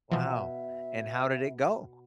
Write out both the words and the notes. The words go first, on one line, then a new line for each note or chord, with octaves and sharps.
Wow. And how did it go?
B2 E3 F3 E5